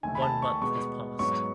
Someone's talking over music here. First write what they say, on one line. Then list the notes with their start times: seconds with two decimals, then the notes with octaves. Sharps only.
One month has passed.
0.03 D#2 D#3 A3 G#5
0.15 B5
0.22 A5
0.42 C#6
0.61 B2 G#3 B3 C#6
1.19 G#2 F#3 B3 C#6